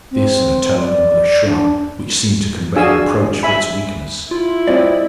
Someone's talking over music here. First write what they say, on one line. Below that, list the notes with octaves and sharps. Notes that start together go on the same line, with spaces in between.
This in a tone, and with a shrug, which seem to convey reproach for its weakness.
C4
D5
D4
D4 F#4 G#4 F5 G#5 E6
E5 G#5 B5
E4 F4
G3 C4 G4 D5 D#5